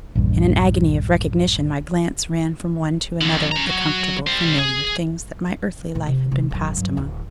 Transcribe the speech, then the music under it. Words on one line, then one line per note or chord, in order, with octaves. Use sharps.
In an agony of recognition my glance ran from one to another of the comfortable, familiar things that my earthly life had been passed among.
A#1 E2 G2
F2 D3
C#4 A#5
F#3 F#4
G3 C5
G#4
A#2 A3
C3
C3 G#3
E1 F#2
G2 F#3
D1 E4